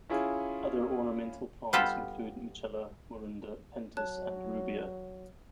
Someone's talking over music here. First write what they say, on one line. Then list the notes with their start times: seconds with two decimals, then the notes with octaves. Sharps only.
Other ornamental plants include "Mitchella", "Morinda", "Pentas", and "Rubia".
0.09 C#4 E4 F4 G#4
1.73 G3 B3 D4 F4 G4 A4
3.97 F#3 C#5 A5 F#6